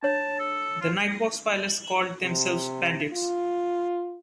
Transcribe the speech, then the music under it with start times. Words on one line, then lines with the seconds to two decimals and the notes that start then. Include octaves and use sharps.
The Nighthawk's pilots called themselves "Bandits".
0.03 D4 C#5 A5
0.39 A4
0.81 F4
2.22 C3
3.13 F4